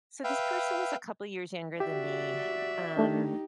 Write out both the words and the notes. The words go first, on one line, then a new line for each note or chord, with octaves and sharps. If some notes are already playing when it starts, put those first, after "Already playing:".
So this person was a couple years younger than me, um,
B4 E5 F5 G5
F#4 G4 D5 E5
A3 D4 D#4 G4